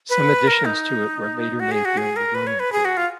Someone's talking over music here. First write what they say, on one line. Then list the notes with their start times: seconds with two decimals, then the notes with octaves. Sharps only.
Some additions to it were later made during the Roman period.
0.10 B4
0.47 A#4
0.65 D#4
1.60 F#4
1.71 G#4
1.85 F#4
1.98 G#4
2.16 A#4
2.35 B4
2.47 C#5
2.60 B4
2.72 G#4
2.85 F#4
2.97 F4